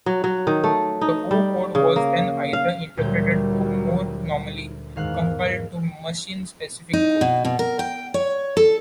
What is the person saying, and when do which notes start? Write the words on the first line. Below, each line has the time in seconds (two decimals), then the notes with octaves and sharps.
The O-code was then either interpreted or, more normally, compiled to machine specific code.
0.06 F#3
0.24 F#3
0.47 D#3
0.64 A3
1.01 D#4
1.31 G3
1.75 C#3
1.96 A#3
2.53 F5
2.97 D2 A#2 F#3 G3 G6
4.96 E2 G#2 D#3 F5 F#6
6.93 D#4
7.21 B2
7.45 B2
7.59 A#4
7.79 G5
8.14 C#5
8.57 A4